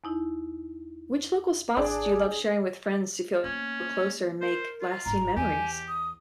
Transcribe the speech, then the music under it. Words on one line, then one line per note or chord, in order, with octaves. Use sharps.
Which local spots do you love sharing with friends to feel closer and make lasting memories?
E2 D#4 E4
G#1 D4 G#4
A#3 B3 C#4
A#4 C5
F4
G1 G#2 A#5
E2 G4 G#5
D#6